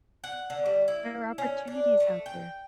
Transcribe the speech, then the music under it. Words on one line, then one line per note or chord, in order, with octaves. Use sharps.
There are opportunities out there.
F#5
D3
G3
E4
C#4
D4
A3
G5